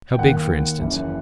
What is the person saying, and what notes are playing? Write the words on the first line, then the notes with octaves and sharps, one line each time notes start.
"How big, for instance?"
G5
D#2 D#3 F#5
F#1 F#2 E3